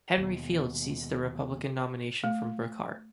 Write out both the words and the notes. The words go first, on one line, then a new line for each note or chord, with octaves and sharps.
Henry Field seized the Republican nomination from Brookhart.
D#2 B2
A3